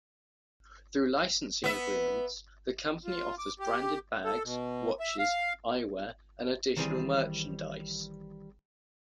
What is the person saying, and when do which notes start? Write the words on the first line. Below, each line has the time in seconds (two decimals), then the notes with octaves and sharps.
Through licensing agreements, the company offers branded bags, watches, eyewear and additional merchandise.
1.64 B3 E5
3.05 F4
3.39 D6
3.60 G4
4.25 A4
4.43 B2
5.00 E5
5.19 F5
6.77 D#3 E3 G3 C4 G#4